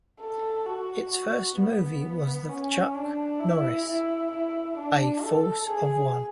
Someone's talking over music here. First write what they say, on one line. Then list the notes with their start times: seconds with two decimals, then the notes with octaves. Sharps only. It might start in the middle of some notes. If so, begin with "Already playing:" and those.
Its first movie was the Chuck Norris', "A Force of One".
0.20 A4
0.66 F#4
1.11 F#4
1.58 B3
2.49 C#4
2.95 D4
3.40 E4
3.86 E4
4.31 E4
4.77 D4
5.23 A4
5.69 G#4